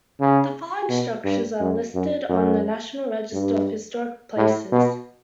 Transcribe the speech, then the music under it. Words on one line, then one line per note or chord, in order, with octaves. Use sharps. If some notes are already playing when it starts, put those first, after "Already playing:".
The following structures are listed on the National Register of Historic Places.
C#3
B2
G2
F#2
F#2
F#2
G2
A2
B2